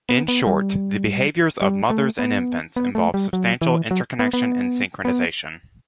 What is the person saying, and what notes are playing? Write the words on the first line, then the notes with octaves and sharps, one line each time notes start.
In short, the behaviors of mothers and infants involve substantial interconnection and synchronization.
B3
B3
G3
G3
A3
B3
B3
A3
G3
F#3
E3
F#3
B3
B3
B3